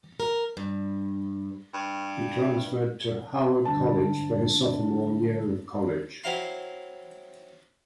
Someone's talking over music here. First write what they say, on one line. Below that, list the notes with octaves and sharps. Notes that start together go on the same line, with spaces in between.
He transferred to Howard College for his sophomore year of college.
A#4
G2
G2
D2 G2 A5
F#3 C4 E4 F5 A#5 C6